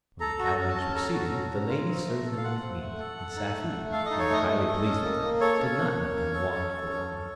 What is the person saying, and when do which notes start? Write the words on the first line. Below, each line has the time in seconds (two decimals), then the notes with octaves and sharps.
When the calenders were seated, the ladies served them with meat; and Safie, being highly pleased with them, did not let them want for wine.
0.20 A4 A#5
0.39 F#4
0.45 A#5
0.58 C#4
0.70 A5
0.76 C#4
0.95 A4 A#5
1.13 F#4
1.32 C#4
1.51 C#4
1.69 F4
1.88 C4
2.06 A3
2.25 A4
2.37 F5
2.43 F4 F#5
2.62 C4
2.80 A3
2.99 A4
3.18 A4
3.37 D#4
3.55 A3
3.73 A3
3.92 A4 F5
4.05 D#5
4.11 D#4
4.19 C#5
4.30 A3 D#5
4.48 A3
4.66 A4
4.85 C#4
5.03 A#3
5.22 A#3
5.41 A4 C#5
5.59 C#4
5.78 A#3
5.96 A#3
6.15 C#4
6.34 A4
6.52 C#4
6.71 A4
6.89 C#4
7.08 A4